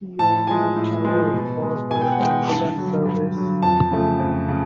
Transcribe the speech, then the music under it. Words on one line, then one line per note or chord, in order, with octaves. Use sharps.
She won an award for her ambulance service.
A2 A5
F3 G#3 G#5
A2
F3 G#3
B2
G#3
B2 G#5
G5
F#5
G#3 G5
G2 A5
D3 F#3
G2
D3 F#3
F2 A5
C#3 F3 A3
F2
C#3